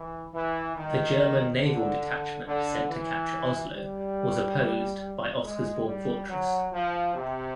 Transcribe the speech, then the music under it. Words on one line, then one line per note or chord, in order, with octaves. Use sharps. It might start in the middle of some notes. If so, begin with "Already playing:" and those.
The German naval detachment sent to capture Oslo was opposed by Oscarsborg Fortress.
Already playing: E3
E3
D#3
D3
D3
E3
G3
G#3
G3
F#3
F3
C3